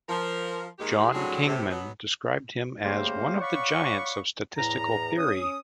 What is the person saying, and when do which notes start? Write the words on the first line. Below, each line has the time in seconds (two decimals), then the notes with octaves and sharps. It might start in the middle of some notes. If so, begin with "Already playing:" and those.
John Kingman described him as "one of the giants of statistical theory".
0.09 F3 A#4
0.79 D#2 D#3 G#3 G4
1.12 A2 D3 F#3 G3 C4 G#4
1.47 A2 C3
1.69 B2 F#3 B3
2.84 C#3 G3 A3 A#3 C5 F5
3.41 C#5 D5 F5 F#5 B5 C#6
4.58 E2 A2 A#5
5.17 C#4 D#6